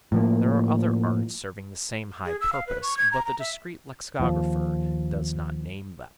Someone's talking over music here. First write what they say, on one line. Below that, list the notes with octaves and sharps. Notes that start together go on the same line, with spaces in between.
There are other arts serving the same high purpose, but the discreet lexicographer does not name them.
A2 F3 A#3
G#4
E6
F5
B4
C#6
G#6
A#5
A#5
E5
D#2 F3